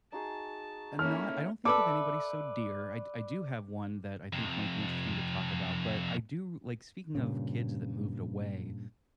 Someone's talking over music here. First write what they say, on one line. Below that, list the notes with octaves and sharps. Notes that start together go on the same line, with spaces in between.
Eh, not I don't think with anybody so dear, I d I do have one that I think might be interesting to talk about, but I do like, speaking of kids that moved away,
D#4 F#4 G#4 A5
A#3 C#4 D#4 E4 A4 C#5 E5 F6
A4 B4 D5 E5 D6
F2 C3
G2 A#2 C#3